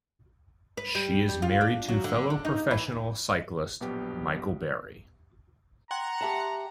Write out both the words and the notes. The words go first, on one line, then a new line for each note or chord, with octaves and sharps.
She is married to fellow professionial cyclist Michael Barry.
B4
G3
G3
F4
D4
F#3
D3
D4
D#4
E3
A#1 B2 F#3 B3 G4
F#5 G5 A#5 C6
G4 E5 A5